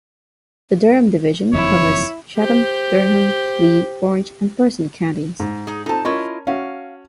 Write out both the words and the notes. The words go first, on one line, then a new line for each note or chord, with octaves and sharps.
The Durham division covers Chatham, Durham, Lee, Orange, and Person counties.
F#1 F2 D#3 E4 C#5
G4 C5
G#2
D#4 G#4
C4 D#4 F4 A4 A5
C#4 E4 F4 A#4 D#5 C#6
C#4 F#4 E5 F5